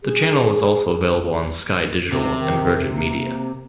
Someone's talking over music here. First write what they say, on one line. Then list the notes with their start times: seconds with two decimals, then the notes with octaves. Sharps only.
The channel was also available on Sky Digital and Virgin Media.
0.03 G#4
2.12 G#2 C3
2.35 D#3
2.90 A#3